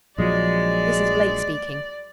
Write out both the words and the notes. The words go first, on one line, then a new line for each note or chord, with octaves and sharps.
This is Blake speaking.
A#1 F3 F#3 G#3 D5